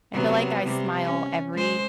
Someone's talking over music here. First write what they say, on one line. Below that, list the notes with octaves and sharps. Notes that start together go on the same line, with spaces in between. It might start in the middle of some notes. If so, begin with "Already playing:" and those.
I feel like I smile every
C3 F#3 B3
C3 G3
C#4
G#3 C5